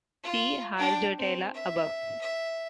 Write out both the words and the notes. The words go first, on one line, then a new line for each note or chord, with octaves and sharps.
See harjoitella above.
F4
D4 G5
C4
E5
E5